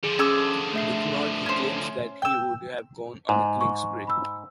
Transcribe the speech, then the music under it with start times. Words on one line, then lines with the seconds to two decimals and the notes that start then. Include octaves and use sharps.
If not, he claims that he would have gone on a killing spree.
0.04 D3 F3 G#4
0.19 C#4 G#4 C#6 D6 E6
0.73 A3 E5 C7
1.46 C#4 C5
2.22 G5 E6
3.29 G#2
3.61 C#6
4.07 B5 E6